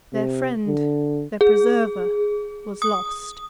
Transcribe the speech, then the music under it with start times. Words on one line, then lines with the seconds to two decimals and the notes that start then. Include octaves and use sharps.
Their friend, their preserver, was lost!
0.13 C3
0.67 D3
1.41 G#4
2.82 D#6